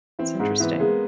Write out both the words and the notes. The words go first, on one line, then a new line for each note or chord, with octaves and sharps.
it's interesting.
E3 C4
G#2 C4
E3 B3
G#3 A#3